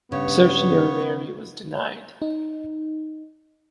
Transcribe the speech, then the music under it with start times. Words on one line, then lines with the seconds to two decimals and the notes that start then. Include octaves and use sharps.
Certiorari was denied.
0.12 G2 C#3 B3 C#5
2.22 D#4